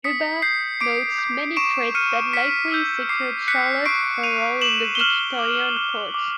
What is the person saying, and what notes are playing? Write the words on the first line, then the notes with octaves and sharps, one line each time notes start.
Hubbard notes many traits that likely secured Charlotte her role in the Victorian court.
D#6 B6 C#7
G6 C7
D6 C7 D7
G6
C#6 D7 E7
F6 C#7 D#7
C#6 B6 C#7
E6 G6
D6 C7
F#6 B6 C#7
C#6 C7 D7
F#6 D#7 F7
D6 E7 F#7
G7
F6 E7 F#7
D6
F6
D6